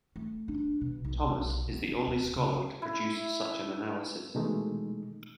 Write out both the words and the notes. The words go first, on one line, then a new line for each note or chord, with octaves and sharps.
Thomas is the only scholar to produce such an analysis.
A3
D4
B2
B1
B1
B3
D2
C#3
E4
B2 D#3 E3 G#3 A3 D#4